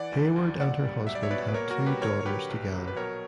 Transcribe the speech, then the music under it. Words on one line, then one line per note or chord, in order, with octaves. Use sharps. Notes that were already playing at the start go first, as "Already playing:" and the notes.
Hayward and her husband have two daughters together.
Already playing: E3 D5 F#5
D2
D2
A#2 D5 F#5
G3
B1 E5
D5
C#5 E5
B2 B4 D5
B4
A#3 A#4 C#5
F#4 A#4
G3
G4 B4
D3 A#4 C#5
C#5
F#3 G4 B4
A#1
F#3
B4
B2 A#4 C#5